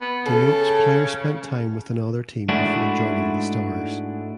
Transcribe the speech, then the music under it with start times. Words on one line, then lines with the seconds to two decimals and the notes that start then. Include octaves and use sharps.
Denotes player spent time with another team before joining the Stars.
0.01 B3
0.26 C#3 A4
2.49 G#2 G#3 A3 D4 E4 F#4